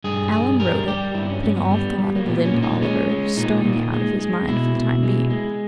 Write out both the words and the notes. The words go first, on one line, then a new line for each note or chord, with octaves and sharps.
Alan wrote it, putting all thought of Lynde Oliver sternly out of his mind for the time being.
G2 G#4
G2 G#4
G3 A#4
G3 G4
G2 E4
B3
C#4
G2 C#4
B3
G3
G3
A#3
A#2 B3
C#4
A#2
D#4
G#3 C#4
G#3
A#2 D#4
A#2
G#3
G#3
B2 E4
B2
G#3
G#3